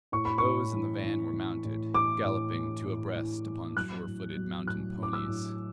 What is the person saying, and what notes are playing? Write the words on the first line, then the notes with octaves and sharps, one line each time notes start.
Those in the van were mounted, galloping two abreast upon sure-footed mountain ponies.
A2 C#6
B5
C#6
A2
E3
E3
E3
A2
E3 D6
A2
E3
A2
E3
E3
F#3 F#6
A2
F#3
A2 F#6
A2 D6
E6
A2